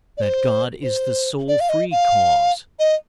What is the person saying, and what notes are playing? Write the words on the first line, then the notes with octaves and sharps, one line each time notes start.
That God is the sole free cause.
D5
C5
C5
D5
F5
D#5
F5
D#5